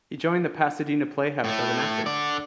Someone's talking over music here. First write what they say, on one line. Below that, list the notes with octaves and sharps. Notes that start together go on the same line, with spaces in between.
He joined the Pasadena Playhouse as an actor.
A2 A3
D3 D5